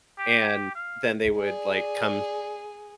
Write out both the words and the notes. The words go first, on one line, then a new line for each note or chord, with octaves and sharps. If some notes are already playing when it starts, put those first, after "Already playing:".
And then they would, like, come
G4
F5
G#4 D5